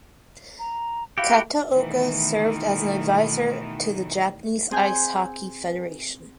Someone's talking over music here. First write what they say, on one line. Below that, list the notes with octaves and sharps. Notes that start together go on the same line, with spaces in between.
Kataoka served as an advisor to the Japanese Ice Hockey Federation.
A#5
E4 F#4 G4 F5
B2 D#3 E3 A3
C4 G#4 G#5 G6